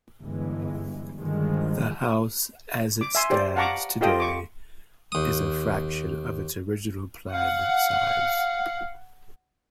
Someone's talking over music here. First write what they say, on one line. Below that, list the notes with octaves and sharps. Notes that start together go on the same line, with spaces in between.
The house as it stands today is a fraction of its original planned size.
G1 G2 E3 G#3
G2 D3 D#3 F3 G#3
D6
E5 G#5 C6
G4 C5 D5
F5 F#5 A5 A#5 C#6 D6
F4 G4 A4 D#5 G5 D#6
C#6 D6
D#2 D#6
F5 F#5